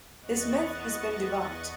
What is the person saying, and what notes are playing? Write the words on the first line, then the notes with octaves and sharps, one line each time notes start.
This myth has been debunked.
E2 B3 D#5 C#6 F#6 A6